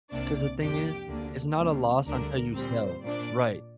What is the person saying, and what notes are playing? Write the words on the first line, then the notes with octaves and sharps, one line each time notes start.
'Cause the thing is, it's not a loss until you sell, right?
C2 C3 A#3 D4 D5
F2 C3 A#3 D4 G4
D2 D3 A#3 D4
D2 C3 G3 A#3 D4
D2 D3 G3 D4 A#4
A#2 G3 C4 C5
A#2 A#3 D4 D5